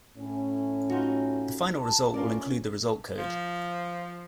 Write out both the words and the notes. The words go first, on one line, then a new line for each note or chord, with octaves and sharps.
The final result will include the result code.
A2 C#4
D#4 F4 F#4
A5
C#4 F4 A#4 D5
F3